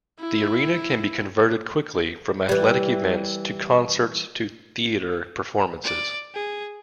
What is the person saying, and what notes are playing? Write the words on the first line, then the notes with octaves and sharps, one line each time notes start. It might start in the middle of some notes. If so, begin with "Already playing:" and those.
The arena can be converted quickly from athletic events to concerts, to theater performances.
E4
E3 G3
D5
G#4